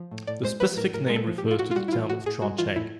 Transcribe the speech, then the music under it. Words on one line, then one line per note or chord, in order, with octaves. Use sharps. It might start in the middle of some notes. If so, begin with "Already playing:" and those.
The specific name refers to the town of Chuancheng.
Already playing: F3
A2
A2 D5
G#3 C5
F3 B4
A2 A#4
A2 A#4
G#3 A#4
A4
F3
A2 G4
F4
A2 F#4
F4
G3 F#4
E4
E3 F4
A2 F#4
A2 G#4
G3 F#4
E3 F4
A2 E4